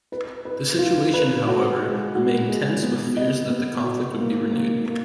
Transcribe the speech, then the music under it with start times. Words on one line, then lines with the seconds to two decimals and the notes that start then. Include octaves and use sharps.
The situation, however, remained tense with fears that the conflict would be renewed.
0.12 B4
0.45 B4
0.79 F4
1.13 B4
1.47 F#4
1.81 G#3
2.15 F#4
2.49 G#3
2.83 B3
3.16 D#5
3.50 B3
3.84 F#4
4.18 A#3
4.51 A#3
4.86 A#3